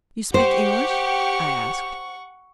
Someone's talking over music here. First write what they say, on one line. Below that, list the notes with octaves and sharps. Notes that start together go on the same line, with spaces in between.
"You speak English?" I asked.
G4 C5 F#5 C#6